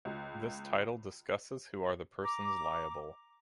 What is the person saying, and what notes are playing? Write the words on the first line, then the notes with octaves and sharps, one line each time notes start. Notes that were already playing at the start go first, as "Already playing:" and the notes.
This title discusses who are the persons liable.
C#2
A#5 D6